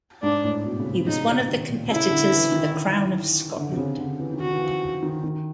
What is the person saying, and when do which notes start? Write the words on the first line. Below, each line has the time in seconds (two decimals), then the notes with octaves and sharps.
He was one of the Competitors for the Crown of Scotland.
0.22 G#2 D4
0.44 A2
0.65 B2
0.79 C#3
0.85 C3
1.06 C#3 D#4
1.27 C#3
1.48 D#3
1.69 A#2
1.90 C#3 E4
2.10 D3
2.31 E3
2.52 D#3
3.57 D3
3.72 C3
3.77 C#3
3.98 D3
4.19 E3
4.34 D#3
4.40 E3 F#4
4.51 E3
4.61 F3
5.03 D#3
5.24 D#3